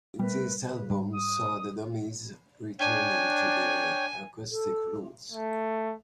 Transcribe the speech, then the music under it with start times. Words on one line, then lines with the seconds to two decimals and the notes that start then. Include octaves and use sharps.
This album saw the Dummies returning to their acoustic roots.
0.19 G3 A3 A#4 B4
0.64 C#3 B4
0.90 G#2 G3
1.13 D#6
2.79 D4 C#5 G5 G#5
4.51 A4
5.32 A3